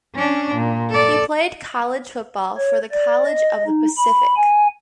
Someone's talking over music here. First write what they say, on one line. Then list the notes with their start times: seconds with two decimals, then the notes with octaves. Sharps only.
He played college football for the College of the Pacific.
0.15 C#4 D4
0.55 A#2
0.90 A4 D5
2.57 C#5
2.92 D5
3.25 D#5
3.67 D#4
3.97 B5
4.36 G#5